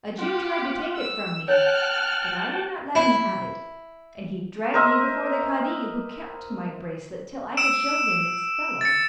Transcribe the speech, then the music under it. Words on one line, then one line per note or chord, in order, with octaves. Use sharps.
A Jew tried to take it from me, but I would not let him have it, and he dragged me before the kadi, who kept my bracelet till I could show him its fellow.
F4 G4 F#5
E6
C#5 F#5 G5 A5 F6 F#6
E4
A#4 C5 D#5 E5
E6 D7 E7
A6 C#7